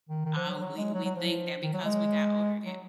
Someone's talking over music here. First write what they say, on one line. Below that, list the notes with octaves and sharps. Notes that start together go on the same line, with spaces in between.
uh, we we think that because we got older that
D#3
D#3
F3
F#3
F#3
G#3
F#3
F#3
F3
D#3
F#3
G#3
F#3